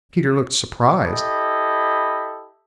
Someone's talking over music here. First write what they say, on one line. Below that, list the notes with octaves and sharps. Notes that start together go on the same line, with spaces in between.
Peter looked surprised.
E4 G4 A4 D#5 B5